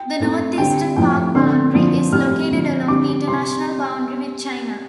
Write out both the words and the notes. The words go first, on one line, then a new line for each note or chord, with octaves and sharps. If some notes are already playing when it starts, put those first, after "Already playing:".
The northeastern park boundary is located along the international boundary with China.
Already playing: G5
A2 A3 C4
D3 G3 C4 G5
A2 F3 C4 G5
D3 A3 C4 C6
D3 F3 C4
A2 G3 C4 F6
D3 F3 C4
D3 G3 C4 D6
C3 G3 C4 C6